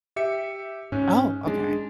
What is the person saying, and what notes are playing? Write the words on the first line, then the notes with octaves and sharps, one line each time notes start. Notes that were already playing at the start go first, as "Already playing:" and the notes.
Oh, okay,
G4 E5 C#7
G#2 C#4
G#3 D4